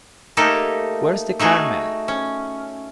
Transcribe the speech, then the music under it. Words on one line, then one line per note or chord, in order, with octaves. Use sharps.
Where's the Caramel?
A3 A#3 D#4 G4 A4
A3 D#4 F#4 G#4
C#4